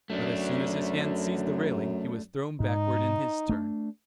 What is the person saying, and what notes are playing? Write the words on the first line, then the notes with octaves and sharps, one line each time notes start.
But as soon as his hands seized the railing, he was thrown backward in his turn.
F#2 A3 D4
G#2 D#4
A3 D4